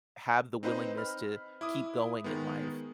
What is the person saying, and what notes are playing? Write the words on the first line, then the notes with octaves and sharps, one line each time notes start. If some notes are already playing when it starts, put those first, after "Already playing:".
have the willingness to keep going in life.
C4 D#4 B4 C5 D#5
B5 F6
E4 D6 D#6
D#3 G#3 B3